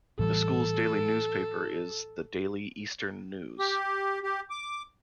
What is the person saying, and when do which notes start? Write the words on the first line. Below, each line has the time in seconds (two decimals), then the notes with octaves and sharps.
The school's daily newspaper is The Daily Eastern News.
0.19 A2 E3 G3 A4
3.59 G4
4.23 G4
4.50 D6